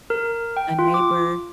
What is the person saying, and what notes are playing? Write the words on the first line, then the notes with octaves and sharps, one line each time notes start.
a neighbor.
A#4
G5
F4
D6